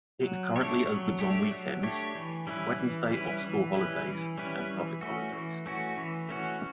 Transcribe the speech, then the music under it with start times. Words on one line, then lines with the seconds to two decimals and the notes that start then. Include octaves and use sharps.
It currently opens on weekends, Wednesday of school holidays, and public holidays.
0.23 F#3
0.56 A3 D4 G4 C#5
0.87 F#3
1.19 A3 D4 G4 C#5
1.51 F#3
1.83 A3 D4 G4 C#5
2.15 E3
2.47 G3 C#4 E4 B4
2.79 E3
3.11 G3 C#4 E4 B4
3.42 E3
3.74 G3 C#4 E4 B4
4.06 E3
4.38 G3 C#4 E4 B4
4.70 E3
5.01 A3 C#4 F#4
5.33 E3
5.66 A3 C#4 F#4
5.97 E3
6.29 A3 C#4 F#4